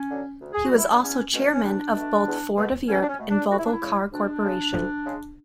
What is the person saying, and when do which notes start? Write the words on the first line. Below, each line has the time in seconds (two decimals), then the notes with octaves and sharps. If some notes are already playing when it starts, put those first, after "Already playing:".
He was also chairman of both Ford of Europe and Volvo Car Corporation.
Already playing: C#4
0.09 D3 F#3
0.40 D2
0.53 G#4
0.65 F#4
0.71 D3 F#3
0.78 E4
0.89 D4
1.02 E2 C#4
1.33 B2 A3 C#4
1.52 C#4
1.63 E2 D4
1.96 B2 A3
2.26 E2
2.57 B2 A3
2.88 E2 C#4
3.02 D4
3.09 C#4
3.19 B2 A3
3.30 D4
3.50 D2 F#4
3.58 E4
3.64 D4
3.72 E4
3.81 C#3 G#3
4.12 D2 D4
4.44 C#3 G#3
4.74 D2
5.05 C#3 G#3